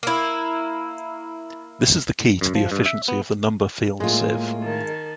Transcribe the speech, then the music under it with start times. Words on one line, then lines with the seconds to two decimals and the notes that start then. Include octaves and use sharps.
This is the key to the efficiency of the number field sieve.
0.03 A#3 E4
2.41 F#2
2.55 F3
2.72 G2
2.86 E5
3.08 B3
4.00 A2 G#3 A#3 F4
4.62 D#3 A5